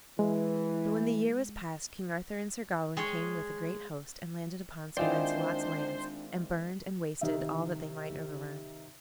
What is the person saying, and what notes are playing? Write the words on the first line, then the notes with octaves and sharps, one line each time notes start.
But when the year was passed, King Arthur and Sir Gawain came with a great host, and landed upon Sir Launcelot's lands, and burned and wasted all that they might overrun.
E3 G#3
G#3 G#4 C#5
D#3 G#3 C4 D4 E4 F4 C5 D5
C3 D#3 D#5 E5